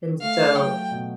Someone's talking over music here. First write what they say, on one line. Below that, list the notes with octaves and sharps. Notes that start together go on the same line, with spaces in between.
And so,
A3 F5
F#3 G5
B2